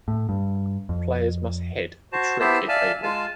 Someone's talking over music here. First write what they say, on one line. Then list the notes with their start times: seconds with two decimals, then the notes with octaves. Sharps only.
Players must head the trick if able.
0.08 A2
0.29 G2
0.89 F2
2.12 F#4 C5 A5
2.40 B3 E4 G4 C5 E5 A5
2.69 D5 E5 F5 G#5 A5
3.03 G#3 F4 F5 G#5 A5